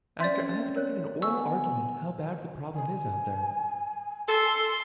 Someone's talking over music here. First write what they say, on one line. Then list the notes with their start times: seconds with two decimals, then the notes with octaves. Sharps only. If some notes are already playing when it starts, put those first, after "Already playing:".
After asking in oral argument, how bad the problem is out there?
0.20 C4 C#4 D5 E5 C6 G6 A6
0.76 A#4 C#5 F#6
1.22 B3 G#5 C#6 E6
2.76 G#5
4.29 A4 C6